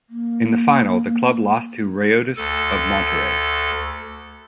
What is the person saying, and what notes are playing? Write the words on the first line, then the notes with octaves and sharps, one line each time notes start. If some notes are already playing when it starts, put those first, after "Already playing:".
In the final, the club lost to Rayados of Monterrey.
A#3
D2 A4